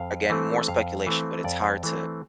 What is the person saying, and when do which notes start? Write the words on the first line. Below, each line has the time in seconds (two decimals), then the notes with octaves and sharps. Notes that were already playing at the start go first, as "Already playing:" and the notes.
again, more speculation, but it's hard to
Already playing: F2 F5
0.30 E3 A3 C4
0.68 F2 F5
1.06 E3 A3 C4
1.44 F2 D5
1.83 E3 A3 C4